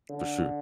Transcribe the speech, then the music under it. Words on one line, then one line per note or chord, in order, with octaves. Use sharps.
For sure.
D3